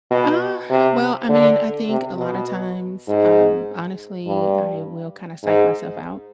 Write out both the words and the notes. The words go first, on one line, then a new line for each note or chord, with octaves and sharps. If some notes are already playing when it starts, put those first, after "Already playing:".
Uh, well, I mean, I think a lot of times, um, honestly, I will kinda psych myself out
B2
C3
D3
C3
B2
G#2
G2
G#2